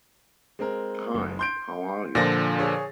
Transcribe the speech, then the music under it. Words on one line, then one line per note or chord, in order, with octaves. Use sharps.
Hi. How are you?
G#3 C4 A#4
F#1
C6 G6 D7
A#2 D3 F3 A6 A#6
G#4 C#5